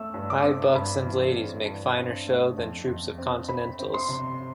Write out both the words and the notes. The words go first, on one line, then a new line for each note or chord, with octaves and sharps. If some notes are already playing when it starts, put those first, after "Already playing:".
High bucks and ladies make finer show than troops of Continentals.
Already playing: A3 E6
G2
D6
C4
G2 B5
E3
C4
G2
C4
A3
F2
F2
C4
C4 B5
C4
C6
C3